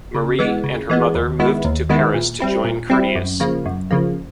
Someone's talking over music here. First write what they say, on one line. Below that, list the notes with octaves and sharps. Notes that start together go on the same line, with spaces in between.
Marie and her mother moved to Paris to join Curtius.
C#3
E3 G#3 B3
C#3
E3 G#3 B3
D#2
D#3 G#3 B3 E4
D#2
D#3 G#3 B3 E4
A#2
G3 C4 E4
A#2
G3 C4 E4
F#2
C#3 F3 A#3
F#2
C#3 F3 A#3